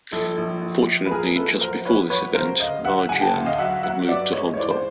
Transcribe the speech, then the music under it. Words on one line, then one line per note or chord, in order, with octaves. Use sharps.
Fortunately, just before this event, Ma Jian had moved to Hong Kong.
A#1 A4
A#1
A#1
A#1
B4
A#2 G#4 A#4
A#1 A4 B4
F#3 A#4 C5
A#1 B4 C#5
F#3 B4 C#5
C#3 A#4 C5
D2 D#5 F5
F#3 E5 F#5
C#3 F#5 G#5
G5 A5
D2
D#5 F5
F#3 E5 F#5
F#3 E5 F#5
G2 D5 E5
G#3 C#5 D#5
C#5
E3 C5 D5
C5